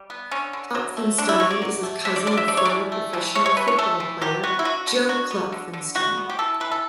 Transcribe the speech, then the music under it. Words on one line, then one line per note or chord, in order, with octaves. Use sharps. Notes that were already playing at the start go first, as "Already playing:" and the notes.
Klopfenstein is a cousin of former professional football player Joe Klopfenstein.
Already playing: G3
B3
D3 C#4
D3
F#3
A3
D3 D4
E4
D3 C#5
D5
F#3
A3
D3 E5
D5
D3 D5
E5
A3 D5
C#5
E3 D5
A3
E3
A3 C#5
C#5
E3 B4
C#5
A3 A4
E3
F#3 G4
B3 F#4
E4
D3 F#4
D3
F#3 F#4
B3
D3
D3
G3 F#4
B3
G4
E3 A4
E3 B4
A4